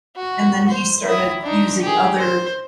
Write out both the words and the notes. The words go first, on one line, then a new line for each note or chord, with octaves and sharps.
and then he started using other
F#4
C5
E4 D#6
D4 D#4
G4 G#4
C5